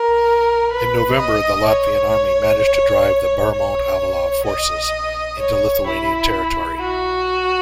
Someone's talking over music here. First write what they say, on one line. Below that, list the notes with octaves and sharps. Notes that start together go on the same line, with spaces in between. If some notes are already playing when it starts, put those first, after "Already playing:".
In November the Latvian army managed to drive the Bermont-Avalov forces into Lithuanian territory.
Already playing: A#4
B4
D#5
C#5
C#5
D#5
C#5
E4
F#4